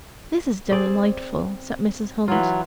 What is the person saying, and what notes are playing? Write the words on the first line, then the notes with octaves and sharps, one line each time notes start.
"This is delightful," said Mrs. Hunt.
C4 G#4 D5
E3 F#3 F4